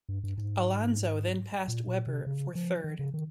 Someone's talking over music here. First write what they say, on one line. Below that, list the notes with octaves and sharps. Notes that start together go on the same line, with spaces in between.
Alonso then passed Webber for third.
G2
G2
G#2
A#2
A#2
C3
C#3
F3
D#3
C#3
D#3